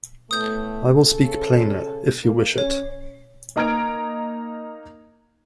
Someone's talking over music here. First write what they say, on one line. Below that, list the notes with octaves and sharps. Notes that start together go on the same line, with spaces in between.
I will speak plainer, if you wish it.
A2 A3 B3 D#6 G6
C#3 A4
A#3
C#4 C#5
A#3 D#4 A#5 F6 G#6 D7